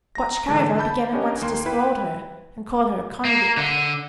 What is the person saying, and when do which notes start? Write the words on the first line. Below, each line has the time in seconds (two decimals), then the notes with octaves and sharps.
Botchkova began at once to scold her, and call her a "convict."
0.15 A#5 A#6
0.48 G#2 D3 E3 G#3
0.78 A5 B5 G6
1.13 B3 C#4 D4 G4 A#4 D#5
1.41 D#2 A#3 C6
1.65 E4 B4 G5 B5
3.25 A#3
3.57 D3